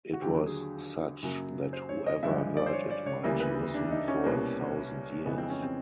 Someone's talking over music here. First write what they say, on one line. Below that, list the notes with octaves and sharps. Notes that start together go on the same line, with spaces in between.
It was such that whoever heard it might listen for a thousand years.
F#4
D#2 D3 F#3 G4
G#4
F#2 C#3 F#3 A#3
C5
C#5
D#5
G2 D3 F3 G#3 E5
D5
C5
C#5
D5
C#5
D2 C#3 E3 G3 A#3
B4
D4
D#4
C#4
C2 B2 G3 A#3
F2 C#3 E3 G#3 B3
C4
C#4
C4